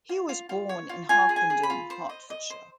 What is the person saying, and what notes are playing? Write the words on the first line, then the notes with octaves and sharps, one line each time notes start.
He was born in Harpenden, Hertfordshire.
F4
F4
F4
C#5
F4
F4 G#5
G#4
G#5
G#4
B5
F4
C5
D#5
D#5
C5